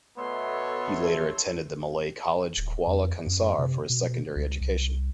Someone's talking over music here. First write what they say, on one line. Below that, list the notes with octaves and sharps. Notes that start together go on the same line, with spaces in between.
He later attended the Malay College Kuala Kangsar for his secondary education.
B2 A3 B3 A4 C#5 C6
D1
F2
F#2
C3
B2
C#2
C2